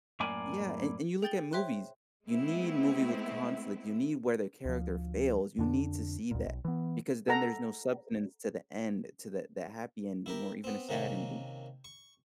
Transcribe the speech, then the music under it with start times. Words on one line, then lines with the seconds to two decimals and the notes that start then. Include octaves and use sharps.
Yeah, and- and you look at movies, you need movie with conflict, you need where the character fails, you need to see that, because then there's no substance to the end, to the the happy ending, or even a sad ending.
0.20 F#2 A2 A#3 D5 G#5
1.23 G#4 G5 G6 A6 F#7 G7
1.53 C5 C#5 E5 G5 C6 F#6
2.25 G#3 A3 B3 C4 E4
4.65 D2 F3
5.59 F2 D3 D4
6.31 D2 A#2
6.47 B1
6.65 E3 B3
7.28 A4 F#5 A#5
10.26 E4 G4 A#4
10.64 B3 C4
10.89 C3 D#3 A#3 C#4
11.85 C#6